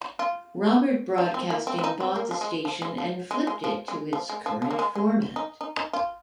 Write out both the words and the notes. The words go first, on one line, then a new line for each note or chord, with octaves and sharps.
Robbert Broadcasting bought the station and flipped it to its current format.
F4
D#4
C4
A#3
C4
C4
D#4
C4
A#3
F3
G#3
F3
G#3
F3
G#3
G#3
F3
G#3
F3
G#3
F3
F3
A#3
G#3
G#3
D#4
D#4
D#4
F4